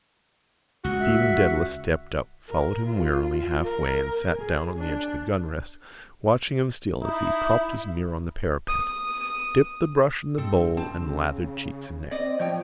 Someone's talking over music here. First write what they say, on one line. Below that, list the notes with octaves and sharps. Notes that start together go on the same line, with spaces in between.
Stephen Dedalus stepped up, followed him wearily halfway and sat down on the edge of the gunrest, watching him still as he propped his mirror on the parapet, dipped the brush in the bowl and lathered cheeks and neck.
C#2 F#4
E5
A#4
F4
A#4
G#4
D4
D#4 E4
D#6
G2 C4 A4
C4 A5
C#3
C4 D5 D#5
A2 F3 G5